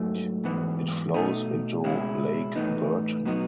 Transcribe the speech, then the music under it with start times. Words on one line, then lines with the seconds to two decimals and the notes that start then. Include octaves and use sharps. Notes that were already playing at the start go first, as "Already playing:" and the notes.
It flows into Lake Burton.
Already playing: G#2 F#3 A3
0.44 G#2 E3 B3
1.14 B2 A3 D#4
1.84 C#2 B2 G#3 C#4 E4
2.55 A2 E3 B3 D#4
3.25 B2 F#3 B3 D#4